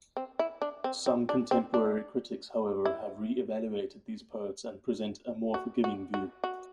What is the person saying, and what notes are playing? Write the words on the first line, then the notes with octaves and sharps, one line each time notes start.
Some contemporary critics, however, have reevaluated these poets and present a more forgiving view.
C4
E4
D4
C4
C4
D4
C4
D4
E4
F#4
F#4
F#4
F#4